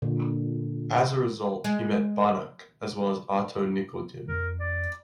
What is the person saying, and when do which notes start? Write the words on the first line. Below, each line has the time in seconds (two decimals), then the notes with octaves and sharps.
As a result, he met Banach, as well as Otto Nikodym.
0.02 A#2 D3
1.64 G#3
4.28 F2 A#4
4.60 D5